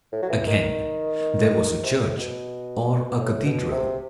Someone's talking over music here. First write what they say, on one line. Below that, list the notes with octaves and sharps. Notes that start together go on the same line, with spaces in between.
Again there was a church or a cathedral.
A2
F#3
E3
E3
D#3
D#3
C3
A2
B2
A2
B2
C3